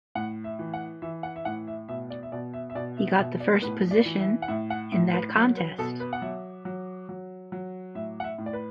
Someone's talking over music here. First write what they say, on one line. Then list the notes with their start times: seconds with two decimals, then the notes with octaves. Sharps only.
He got the first position in that contest.
0.15 A2 F#5
0.44 E5
0.59 E3
0.73 F#5
1.02 E3 E5
1.23 F#5
1.36 E5
1.45 A2 F#5
1.67 E5
1.88 B2 E5
2.10 D5
2.23 E5
2.32 B2 D5
2.53 E5
2.70 E5
2.75 B2 D5
2.97 E5
3.19 B2 E5
3.40 D5
3.62 A2 B4
3.91 D5
4.05 E3
4.19 E5
4.42 F#5
4.48 A2 E5
4.70 F#5
4.92 A2 E5
5.14 B4
5.36 F#3
5.57 B4
5.78 B2 A4
6.00 B4
6.13 F#5
6.22 F#3 E5
6.65 F#3
7.09 F#3
7.52 F#3
7.95 A2 E5
8.20 F#5
8.24 E5
8.38 A2
8.46 D5
8.53 B4